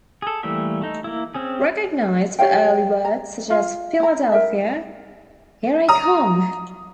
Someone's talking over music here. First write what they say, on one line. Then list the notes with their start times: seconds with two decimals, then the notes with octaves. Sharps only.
Recognised for early works such as Philadelphia, Here I Come!
0.22 G#4 A4
0.43 E3 G3 A3 A#3 E5
0.82 A3 D#4
1.04 A#3 E4
1.34 C4 C#4 G#4
2.39 G4 C#5 F5 G5
3.05 A#5
3.50 F4 F5
4.00 E4 A#5
4.32 A#4 E5
5.89 A#5 D#6